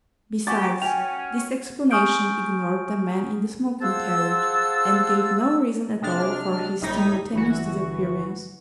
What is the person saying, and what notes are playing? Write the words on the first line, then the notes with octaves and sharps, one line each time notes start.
Besides, this explanation ignored the man in the smoking carriage, and gave no reason at all for his simultaneous disappearance.
F#4 G4 G#5 D6 A6
C#4 G5 G#5 F7
G#5 C#6 D#6 F6 G6 D7
F4 G#4 C5 F#5 A5 E6
C3 G#3 D4 F6
G1 A2 G3 D#4 G#6 B6
G1 E3 F#4